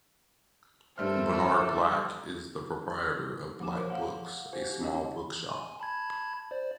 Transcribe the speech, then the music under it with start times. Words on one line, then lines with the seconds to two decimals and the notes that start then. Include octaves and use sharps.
Bernard Black is the proprietor of Black Books, a small bookshop.
0.98 G2 G3 A4 A#4 C5 E5 F6
3.60 F3 A#3 D6 E7
3.76 A#4 C5 C#5
3.90 F5 F#5
4.53 F#4 G4 C5
4.81 C#4 D#4 D#5
5.50 G#5
5.80 A5 B5 G#6
6.51 C5 D5